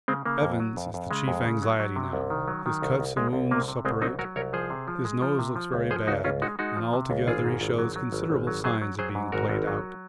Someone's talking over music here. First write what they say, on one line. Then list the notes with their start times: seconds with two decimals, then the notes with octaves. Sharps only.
Evans is the chief anxiety now; his cuts and wounds suppurate, his nose looks very bad, and altogether he shows considerable signs of being played out.
0.08 C#3 G#3 C4
0.25 C#3 A#3
0.42 F2
0.60 F#3
0.77 F2
0.94 F2
1.11 C#3 G#3
1.28 F2
1.46 C#3
1.62 F#3
1.80 F#3
1.96 C3
2.13 C2
2.30 D#3
2.48 F#3
2.66 D#3
2.82 C2
3.00 C2
3.17 C2 G#3
3.33 C2
3.51 C3 A#3
3.68 C3
3.85 C2 G#3 C4
4.02 F#3 C4 D#4
4.19 F#3 F#4 A#4
4.36 C2 A#4 C#5
4.53 F3 G#4 C5
4.70 C3
4.88 F3
5.05 G#3
5.22 F3
5.39 C3
5.56 F3
5.74 C#2
5.91 F3 G#4 C5
6.07 C#2 D#4 F#4
6.24 C#2 C#4 F4
6.42 G#3 D#4 F#4
6.59 G#3 D#4 F#4
6.76 F3
6.93 C3
7.10 C#2
7.27 G#1 F4 G#4
7.45 G#2
7.61 G#1
7.79 F#3
7.96 F#3
8.12 G#1
8.30 G#1
8.47 F#3
8.64 F#3 G#4 C5
8.81 F#3
8.99 F#3 G#4 C5
9.15 G#2
9.32 G#1 F#4 A#4
9.49 G#1
9.67 F#3